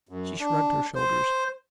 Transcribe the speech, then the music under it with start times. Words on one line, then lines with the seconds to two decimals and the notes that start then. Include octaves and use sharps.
She shrugged her shoulders.
0.09 F#2
0.40 D4
0.95 C5